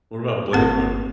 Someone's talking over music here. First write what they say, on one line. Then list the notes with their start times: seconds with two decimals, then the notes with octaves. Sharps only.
What about Blade Runner?
0.53 G1 A#3 C4 F#5